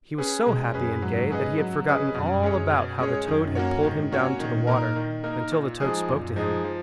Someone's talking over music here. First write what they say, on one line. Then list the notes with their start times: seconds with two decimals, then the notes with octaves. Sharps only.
He was so happy and gay that he had forgotten all about how the toad had pulled him down to the water until the toad spoke to him.
0.18 C#4 G#4 B4
0.46 B2 G#3
0.74 F#2 C#4 G#4 B4
1.02 G#2 F#3
1.30 C#4 G#4 B4 D#5
1.58 F#3
1.87 C#4 G#4 B4 D#5
2.15 F#2 B2
2.43 G#3 C#4 G#4 C#5
2.71 B2
2.99 G#3 C#4 G#4 C#5
3.27 F#2 D#3
3.55 A#3 C#4 F#4 C#5
3.83 G#2 D#3
4.12 A#3 C#4 F#4 C#5
4.40 A#2 D#3
4.67 A#3 D#4 A#4
4.96 D#3
5.24 A#3 D#4 A#4
5.52 A#2
5.80 F3 G#3 D#4 G#4
6.08 F#2 A#2
6.36 F3 G#3 D#4 G#4
6.64 F3